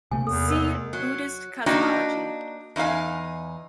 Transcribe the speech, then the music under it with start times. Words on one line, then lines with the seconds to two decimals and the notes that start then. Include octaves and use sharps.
See "Buddhist cosmology".
0.11 C3 A3 A#3 G#5
0.27 E2 A4
0.48 A#4 D#5
0.93 F#3
1.66 A#3 D4 D#4 F#4 G5
2.76 E2 D#4 E4 F5 G#5